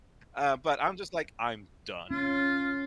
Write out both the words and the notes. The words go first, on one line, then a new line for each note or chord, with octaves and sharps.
Uh, but I'm just like, "I'm done,"
C#4 F4